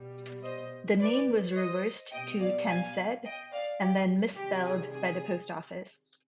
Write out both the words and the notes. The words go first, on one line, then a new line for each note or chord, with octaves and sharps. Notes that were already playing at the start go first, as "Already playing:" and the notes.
The name was reversed to "Temsed" and then misspelled by the post office.
Already playing: B2 G3
C5 D#5
B4 D5
C5 D#5
B2 G3 D#5 G5
D5 F5
F5 G#5
D#5 G5
D5 F5
G4
C3 D#3 G3 G4
G#4
G#4